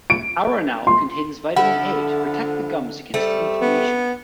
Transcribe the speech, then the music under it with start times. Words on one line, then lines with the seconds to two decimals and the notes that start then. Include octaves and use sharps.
Aronal contains vitamin A to protect the gums against inflammation.
0.10 D7
0.87 C6
1.56 D3 F3 E4 A4 F#5
3.14 G3 A3 C4
3.61 B3